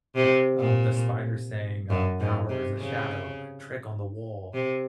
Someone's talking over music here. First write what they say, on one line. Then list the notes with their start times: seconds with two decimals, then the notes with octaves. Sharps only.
um, the Spider saying, uh, "Power is a shadow, a trick on the wall."
0.15 C3
0.60 A#2
1.90 F#2
2.20 G#2
2.49 C3
2.78 C#3
4.54 C3